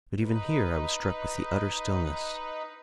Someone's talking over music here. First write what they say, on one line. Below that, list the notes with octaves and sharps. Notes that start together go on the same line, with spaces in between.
But even here I was struck with the utter stillness.
D#4 B4